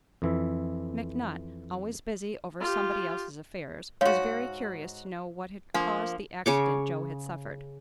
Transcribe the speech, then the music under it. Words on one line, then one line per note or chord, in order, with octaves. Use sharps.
McNutt, always busy over somebody else's affairs, was very curious to know what had caused the accident Joe had suffered.
F2 E3 E5
F4 G4
G#2 F#4 C#5 F5
F3 A#3 D4
C#3 C#5 D6